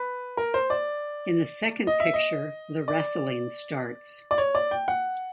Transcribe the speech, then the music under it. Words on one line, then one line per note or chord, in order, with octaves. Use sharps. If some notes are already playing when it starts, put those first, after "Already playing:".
In the second picture the wrestling starts.
Already playing: B4
A#4
C5
D5
D#5
E5
D#5
D5
D5
C#5
D5
G5
F#5